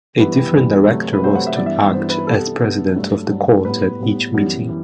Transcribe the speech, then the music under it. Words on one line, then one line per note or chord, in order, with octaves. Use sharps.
A different director was to act as president of the Court at each meeting.
G2 E3 G3 B3 B4
G4
G2 E3 G3 B3 B4
C3 F#3 A3
B4
C3 F#3 A3 C5
F#5
E5
G2 E3 B3 D5
E5
G2 E3 B3 C5
B4
C3 G3 B3 A4
C3 G3 B3
G2 F#3 A3
G2 F#3 A3
A2 G3 B3 B4
A2 G3 B3
F#2 E3 G3 B3
E3